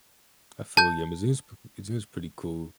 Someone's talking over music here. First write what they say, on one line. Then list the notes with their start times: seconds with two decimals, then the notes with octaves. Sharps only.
I feel ya. It is it is pretty cool.
0.77 A5 G6